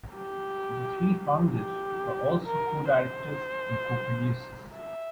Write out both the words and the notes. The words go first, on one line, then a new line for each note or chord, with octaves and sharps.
The three founders are also co-directors and co-producers.
G4
G4
A#4
C5
E5